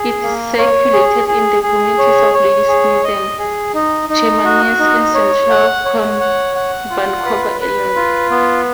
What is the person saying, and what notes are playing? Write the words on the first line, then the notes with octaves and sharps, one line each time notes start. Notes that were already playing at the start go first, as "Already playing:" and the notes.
It is circulated in the communities of Ladysmith and Chemainus, in central Vancouver Island.
Already playing: G#4
A#3
C#5
G#4
G#4
G#4
C#5
C#5
G#4
D#5
G#4
D#4
D#4
F#4
D#4
C#5
F#5
C#5
F#5
F#5
F4
B4
B4
F4
B3